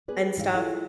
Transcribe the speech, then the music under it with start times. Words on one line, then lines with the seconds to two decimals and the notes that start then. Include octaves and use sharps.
and stuff,
0.08 B3 G#4 B4 D5
0.37 G#2 E3 G#4 F5
0.55 E4 F4 G#4 A4 F5